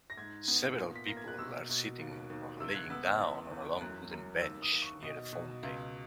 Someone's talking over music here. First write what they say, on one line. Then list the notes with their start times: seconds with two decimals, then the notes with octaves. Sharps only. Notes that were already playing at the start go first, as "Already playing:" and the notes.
Several people are sitting or laying down on a long wooden bench near a fountain.
0.10 A#6
0.17 G#2 G#6
0.48 B3
0.78 A#2
0.96 B6
1.06 A#3 A#6
1.17 G#6
1.28 F#6
1.39 B2 E6
1.69 B2
1.99 D#2
2.30 D#2
2.60 C#2 E6
2.69 G#6
2.75 F#6
2.90 B3 E6
3.05 E6
3.20 E2
3.51 E2
3.81 F#2 F#6
4.11 F#2
4.41 D#2 E6
4.62 D#6
4.72 D#2
4.82 C#6
5.03 B2 D#5
5.33 B2
5.63 C#2